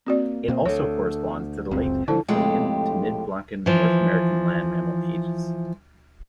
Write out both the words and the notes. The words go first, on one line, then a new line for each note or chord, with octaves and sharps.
It also corresponds to the late Hemphillian to mid-Blancan North American Land Mammal Ages.
A#3 C4 F#4 D5
B2 A#3 C4 C5
D2 A4 C#5
F#1 C#2 C4
D3 F3 E4 A4 C5 A5
F2 A2 C3 G#3 G4
E3 F3